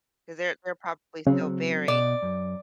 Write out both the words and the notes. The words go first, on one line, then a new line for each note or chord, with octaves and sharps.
'Cause they're they're probably still very
C#3 F#3 C4
B2 D5
F#2